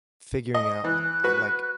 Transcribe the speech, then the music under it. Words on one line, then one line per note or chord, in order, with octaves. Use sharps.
figuring out I I like
D#5
E3 F#6
F#4 B4